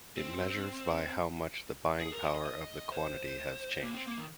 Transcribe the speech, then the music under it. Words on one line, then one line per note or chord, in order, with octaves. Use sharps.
It measures by how much the buying power of the quantity has changed.
C4
G#4
A#4
D#5
D#5
D#5
C5
A#3
C4
A#3
D#3